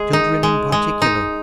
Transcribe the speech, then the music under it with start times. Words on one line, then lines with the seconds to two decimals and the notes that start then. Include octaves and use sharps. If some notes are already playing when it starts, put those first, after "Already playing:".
"Children in particular."
Already playing: G#3 G#4
0.13 D#4
0.43 G#3
0.72 G#3
1.02 D#4